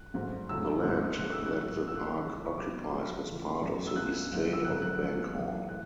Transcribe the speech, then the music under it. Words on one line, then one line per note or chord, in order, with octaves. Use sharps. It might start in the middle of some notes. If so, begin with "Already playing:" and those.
The land that the park occupies was part of the estate of Bank Hall.
Already playing: F#6
G#1 G#2 F#3 A3
E2 C#3 F#3 A3 E6
G#1 G#2 E3 G#3
E1 E2 C#3 G#3 F#6
E6
F#6
A1 G#2 F#3 A3
C#2 B2 A3 E6
F#6
E6
C#2 C#3 E3 G#3
C#6
B1 B2 A3 D6
B1 B2 G#3
C#2 C#3 E3 A3
F#2 C#3 F#3 A3
E6
C#2 B2 G#3 F#6
F#1 F#2 D3 G#3
E6
G#1 F#2 D3 A3 F#6
F#6
C#2 B2 F#3 A3
G#1 F#2 E3
A2 F#6